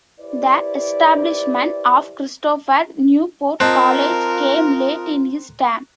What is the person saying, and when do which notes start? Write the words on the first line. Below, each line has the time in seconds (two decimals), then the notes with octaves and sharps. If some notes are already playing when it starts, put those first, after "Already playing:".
The establishment of Christopher Newport College came late in his term.
0.21 E4 G4 B4 C5 D5
3.60 C4 F4 A#4 D#5 A5 F#6